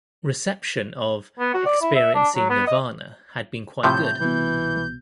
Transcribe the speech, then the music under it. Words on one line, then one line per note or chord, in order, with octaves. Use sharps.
Reception of "Experiencing Nirvana" had been quite good.
B3
F#4
D5
E4
E5
D4
F#3
B3
D#5
A2 C3 F3 E4 C#5 A5 G6
C2 B2 E3